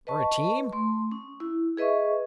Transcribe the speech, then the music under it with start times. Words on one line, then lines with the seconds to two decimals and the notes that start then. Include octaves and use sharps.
'Or a team?'
0.07 B4 D#5 A5 C#6
0.73 A3 C6
1.11 C#4
1.40 E4
1.77 G#4 B4 D#5 E5 C#6